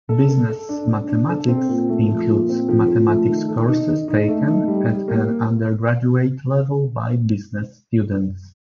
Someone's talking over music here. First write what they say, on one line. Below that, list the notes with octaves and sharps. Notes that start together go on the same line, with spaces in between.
"Business Mathematics" includes mathematics courses taken at an undergraduate level by business students.
A4
A4
A4
D4
D4
D4
A4
C4
A#2
A3
F3
A#2
C4
F3
F3
A3
D#3
A4
D#4
D#4
D#4
A3
D#4
G3
G3
A#3